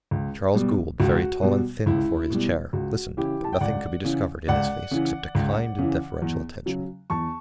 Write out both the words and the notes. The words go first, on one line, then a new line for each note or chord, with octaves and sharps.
Charles Gould, very tall and thin before his chair, listened, but nothing could be discovered in his face except a kind and deferential attention.
C#2
B2 G3
C#2 F#4
B2 G3
C#2 E4
B2 G3
C#2 F#4
C#3 E3 E4 G4
A5
G5
C#2 D5 F#5
C#3 E3
C#2 D5 F#5
C#3 E3
C#2
C#3 E3
E2
C#3 F#3
E2 A5 C#6